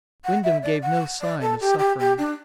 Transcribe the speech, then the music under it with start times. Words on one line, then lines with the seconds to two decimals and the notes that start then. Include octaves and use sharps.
Wyndham gave no sign of suffering.
0.25 F#5
0.44 E5
0.63 D5
0.83 F#5
1.21 D5
1.41 A4
1.61 G4
1.79 G4
2.00 G4
2.18 D4